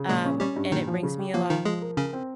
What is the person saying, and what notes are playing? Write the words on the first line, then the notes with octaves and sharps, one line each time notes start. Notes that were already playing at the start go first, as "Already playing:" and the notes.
um, and it brings me a lot
Already playing: C#3
A#2 G#3 G#4
C#4
G3 C#4 G4
G2
A#2 D#3 D#4
F3
C#3
G4
F3 A#3
D#3 F3 D#4
F3 G#3 G#4
A#4
C#3 C#4 A#4
C4